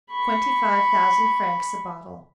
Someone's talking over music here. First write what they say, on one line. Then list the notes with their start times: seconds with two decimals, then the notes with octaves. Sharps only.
"Twenty-five thousand francs a bottle."
0.10 B5 C#6